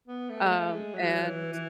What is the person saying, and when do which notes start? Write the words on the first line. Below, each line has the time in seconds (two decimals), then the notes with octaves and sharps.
Um, and,
0.08 B3
0.30 A3
0.43 G#3
0.51 A3
0.72 G#3
0.94 F#3
1.16 F#3
1.23 E3
1.52 E3